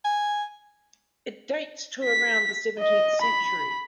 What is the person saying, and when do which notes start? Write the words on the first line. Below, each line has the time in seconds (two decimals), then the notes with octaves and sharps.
It dates to around the seventeenth century.
0.05 G#5
2.05 B6
2.79 D#5
3.21 B5